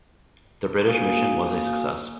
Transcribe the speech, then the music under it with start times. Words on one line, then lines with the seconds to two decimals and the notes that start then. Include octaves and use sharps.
The British mission was a success.
0.86 A#3 F#4 F5 G#5 D#6